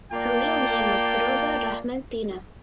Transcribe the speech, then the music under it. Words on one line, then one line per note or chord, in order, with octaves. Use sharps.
Her real name was Firoza Rahman Tina.
A#3 F4 D5 G5 A5